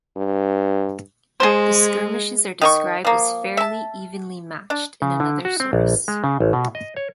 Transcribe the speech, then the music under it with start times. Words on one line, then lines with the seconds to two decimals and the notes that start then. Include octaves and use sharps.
The skirmishes are described as fairly evenly matched in another source.
0.17 G2
1.40 G#3 G#4 C5
2.61 D#3 F4 C#6
3.05 F3 A#3
3.57 E5 A5
4.70 D4
5.02 C#3
5.20 D3
5.45 F#4
5.60 C4
5.73 A#1
6.08 G#3
6.24 C#3
6.40 A1
6.53 B2
6.75 D#5
6.97 C#5